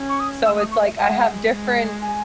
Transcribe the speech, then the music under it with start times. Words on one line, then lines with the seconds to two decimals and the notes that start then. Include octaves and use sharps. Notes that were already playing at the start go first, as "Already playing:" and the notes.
So, it's like, I have different
Already playing: C#4
0.09 C#6
0.20 D#6
0.45 A3 E6
0.59 D#6
0.72 C#6
0.85 E5
0.98 G#3 F#5
1.49 G#3
2.02 G#5